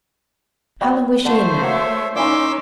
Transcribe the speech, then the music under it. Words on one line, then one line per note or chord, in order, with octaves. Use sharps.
"How long was she in there?"
C3 G3 F#4
D3 A3 F4 C5
A#3 F#4 C#5 E5
A#2 C#4 D#4 E4 G#5 C6 D6 E6